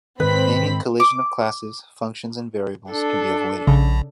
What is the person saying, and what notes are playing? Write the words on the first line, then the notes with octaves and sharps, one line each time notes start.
Naming collision of classes, functions and variables can be avoided.
G#2 D#3 C4 B4 B5 B6
D6
D4 A4
A#1 C#3